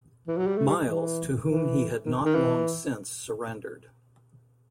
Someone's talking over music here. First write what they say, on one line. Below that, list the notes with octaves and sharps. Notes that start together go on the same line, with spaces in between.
Miles to whom he had not long since surrendered.
E3
F#3
G3
A3
G3
E3
E3
D#3
D#3
E3